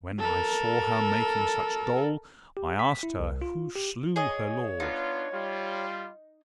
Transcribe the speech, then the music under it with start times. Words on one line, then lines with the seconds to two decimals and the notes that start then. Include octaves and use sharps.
And when I saw her making such dole, I asked her who slew her lord.
0.19 A4 A#4
2.57 G4
2.79 B6
3.03 E4
3.20 C2
3.42 F4
3.75 G4
4.16 G#4 C#5 D#5
4.80 B3 D4 D#4 F4
5.33 G3 F4